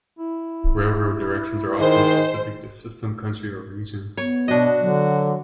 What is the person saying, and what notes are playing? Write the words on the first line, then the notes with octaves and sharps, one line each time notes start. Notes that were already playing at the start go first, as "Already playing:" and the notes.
Railroad directions are often specific to system, country, or region.
E4
D#3 G#3 C5
B3 C#5
B2 D4 F#4 D#5
D3 F#3